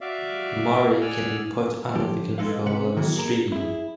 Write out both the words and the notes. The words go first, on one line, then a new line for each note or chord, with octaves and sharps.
Moroi can be put under the control of a strigoi.
F#4 D5 E5 F5
G#4 D5 F#5 G#5 E6 F6
D3 F3 G4
G#3 D#4 A4 B4 F5
C3 C#4 B4 F#5
D#3 E3 F#3 B3
A#3 G#4 A#4 A#5
E4 G#4